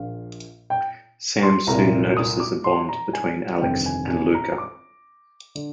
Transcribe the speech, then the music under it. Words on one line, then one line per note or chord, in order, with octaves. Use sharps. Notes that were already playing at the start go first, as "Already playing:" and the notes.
Sam soon notices a bond between Alex and Luka.
Already playing: A#1 A#2 F5
G5
C6
C2 A#2 A#5
D#6
D6
C6
A#5
G#5
G1 F2 C3 D#3 G5
G#5
G#5
A#5
D6
D3